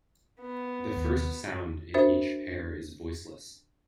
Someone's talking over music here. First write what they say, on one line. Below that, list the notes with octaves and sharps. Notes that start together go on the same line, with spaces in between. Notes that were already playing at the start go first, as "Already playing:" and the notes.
The first sound in each pair is voiceless.
B3
D#2
D4 F#4 A#4 C5 E5